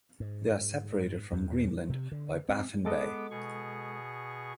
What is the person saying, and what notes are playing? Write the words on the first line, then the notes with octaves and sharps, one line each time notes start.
They are separated from Greenland by Baffin Bay.
G#2
E2
C3
D3
C4
G#3 B3 A4 D#5 D6
B2 G#4 C#6